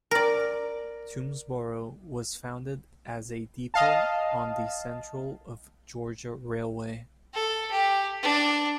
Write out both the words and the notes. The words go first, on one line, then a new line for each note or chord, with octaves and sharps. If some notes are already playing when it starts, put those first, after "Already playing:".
Toomsboro was founded as a depot on the Central of Georgia Railway.
A#4 D5
D#5 F5 A5
A4
G4
D4